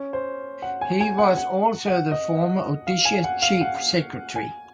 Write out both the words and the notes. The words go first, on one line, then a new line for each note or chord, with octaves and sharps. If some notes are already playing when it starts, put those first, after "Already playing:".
He was also the former Odisha chief secretary.
Already playing: C#4
C5
F#5
G#5
G#5
F#5
F#5
F#5
D#5
F5
G#5
F#5
F5
F#5
G#5